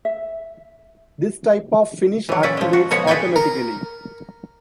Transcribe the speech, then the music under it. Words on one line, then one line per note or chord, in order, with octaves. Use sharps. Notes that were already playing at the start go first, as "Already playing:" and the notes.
This type of finish activates automatically.
E5
E3 F#3
A#2 C#4 E4 B4 D5
F3 G#3
F#4
B2 F3 B3 F#4 C#5
G#4 B4 C#5 D5 G5 G#5
A#4